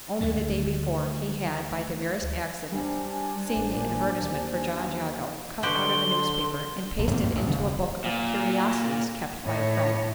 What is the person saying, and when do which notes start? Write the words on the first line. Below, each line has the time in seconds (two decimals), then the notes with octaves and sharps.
Only the day before, he had, by the merest accident, seen the advertisement for John Jago cut out of a newspaper and pasted into a book of "curiosities" kept by a friend.
0.21 D2 D3 D#3 A3
2.72 G3 D4 C5 G#5
3.56 A1
3.76 A#2
4.22 D#2
5.63 B2 D3 F#4 G4 C6 G7
6.99 B1
7.11 F2 A2 A#3 C4
7.35 A1
7.48 D#2 C#3
8.04 A#2
9.45 A2 C#5